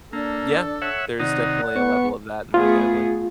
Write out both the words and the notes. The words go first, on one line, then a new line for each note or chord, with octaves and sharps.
Yeah, there's definitely a level of that in my family.
A#3 D4 A4
C#5 E5 F#5
C3 D#3 D#4 D5 F#5
B3 C#6
A3 B3 F4 G#4